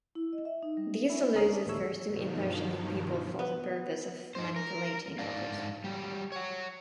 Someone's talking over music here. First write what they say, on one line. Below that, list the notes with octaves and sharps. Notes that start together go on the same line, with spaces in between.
This allows the First to impersonate people for the purpose of manipulating others.
E4
D#5
E5
D#4
G3
C#4 E4
D2 C#4 D#4 G#4 A#4 D#6
C#4 D4
A1 D#2 A2 A3 C#5 E6
G2 B2 D#3 F3 F#3
B3
D#4 C5
A#4
G#2 D4 D5 F5
F#3 G3
C#5 F#5